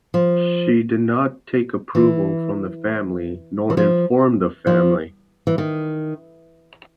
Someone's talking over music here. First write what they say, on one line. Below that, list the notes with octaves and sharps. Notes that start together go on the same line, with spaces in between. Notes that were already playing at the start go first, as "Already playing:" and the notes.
She did not take approval from the family nor informed the family.
F3
E3
E3
F3
F3
E3
D#3